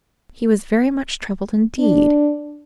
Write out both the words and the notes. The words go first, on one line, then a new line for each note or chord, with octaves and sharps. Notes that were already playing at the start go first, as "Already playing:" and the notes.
He was very much troubled, indeed.
D4